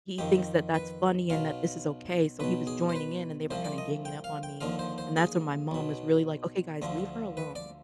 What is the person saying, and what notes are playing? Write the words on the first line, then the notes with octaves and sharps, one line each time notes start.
he thinks that that's funny and that this is okay. So he was joining in, and they were kinda ganging up on me. And that's when my mom was really like, "Okay, guys, leave her alone.
F2 D#3 G4
B4
B1 B2 F5
B1 B2 B4
G#4
C5
B4
C2 C3 F3 C5
D5
D#5
G5
F5
G5
D#2 D3 F3 F5
C5
C5
G#4
B1 B2
D2 D3 F3
B4
D5